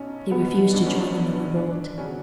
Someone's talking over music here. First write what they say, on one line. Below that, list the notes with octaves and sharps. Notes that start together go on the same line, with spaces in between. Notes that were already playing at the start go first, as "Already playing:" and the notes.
They refused to join in the revolt.
Already playing: B1 C#4
B2 F#3 B3
B1 D4
C#4
D4
B2 F#3 D4
G#1 D4
C#3 F#3 C#4